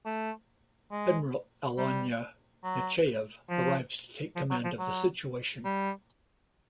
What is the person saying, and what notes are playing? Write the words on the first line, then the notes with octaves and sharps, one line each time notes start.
Admiral Alynna Nechayev arrives to take command of the situation.
A3
G#3
G3
F#3
F3
F3
F#3
F3
F#3
G3